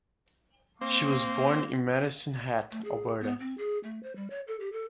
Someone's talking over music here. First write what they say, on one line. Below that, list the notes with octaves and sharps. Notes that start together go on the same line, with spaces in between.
She was born in Medicine Hat, Alberta.
A#3 C4
A3
G#4
B3
C4
G#4
A3
C5
G3
C#5
A4
G4
A4